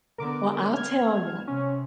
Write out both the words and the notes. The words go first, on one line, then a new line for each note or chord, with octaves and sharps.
Well, I'll tell ya.
D3 B3 A#4 D6
B3 F6 G#6
C3 C#4